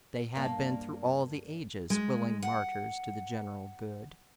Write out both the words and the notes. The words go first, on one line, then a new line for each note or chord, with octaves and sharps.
They had been, through all the ages, willing martyrs to the general good.
G2 A#3
G#3
F#5